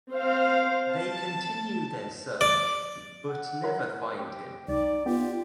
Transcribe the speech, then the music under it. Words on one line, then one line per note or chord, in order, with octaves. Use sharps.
They continue their search, but never find him.
C4 C5 F5
A5
D5
F#5
E4 A#4 A#5
G4
C2 D#4 D5
B3 F4 G4